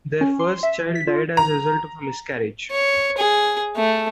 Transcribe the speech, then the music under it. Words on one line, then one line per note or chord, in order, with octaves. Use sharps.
Their first child died as a result of a miscarriage.
C#4
C6
E5
E3
B6
F4
A#5
C#5
G#4
A3